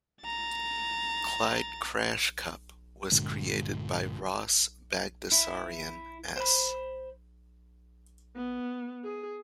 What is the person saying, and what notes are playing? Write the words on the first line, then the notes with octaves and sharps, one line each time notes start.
Clyde Crashcup was created by Ross Bagdasarian S.
A#5 A6
G2 A#2 D3 G#3
E4
C5 B5
B3
G#4